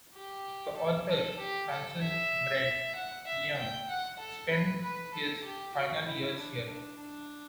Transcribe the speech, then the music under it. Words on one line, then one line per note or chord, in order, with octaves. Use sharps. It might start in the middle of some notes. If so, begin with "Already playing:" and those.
The author Francis Brett Young spent his final years here.
G4
A4
A4
G4
A4
E5
F#5
E5
G5
F#5
A4
B4
B4
A4
G4
F#4
E4
D4
D4
D4